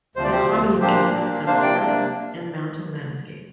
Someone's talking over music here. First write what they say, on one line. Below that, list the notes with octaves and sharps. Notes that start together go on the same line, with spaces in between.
The commune consists of forest and mountain landscape.
D2 C3 F3 C5
D5
G4 C5
D2 C3 F3
A#2 A#3 D4 G4 C5
A#2 A#3 D4
C3 A#3 D4 C5 F5
D5 G5
C3 A#3 D4